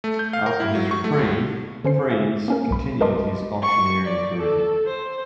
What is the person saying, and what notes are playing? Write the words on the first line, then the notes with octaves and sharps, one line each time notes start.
After his reprieve, Fries continued his auctioneering career.
A3
G6
F5
A#4
E4
F#3
C#6
A3
C#2
D3 C#4 C5 C7
E5 F5 G#5
A#3 C#4 A#4
B1 B5
A#4 B4 D#5 A5 C6 D6
C#6
D5
A4
C5